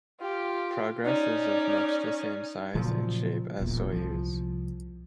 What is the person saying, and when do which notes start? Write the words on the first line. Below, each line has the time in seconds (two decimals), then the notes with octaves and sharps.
Progress is of much the same size and shape as Soyuz.
0.20 F4 G4
1.04 C#4 D#4 D5
2.75 A#2 C#3 F3 F#3
3.60 D#1 A1 E2 A#2
3.92 C2 F3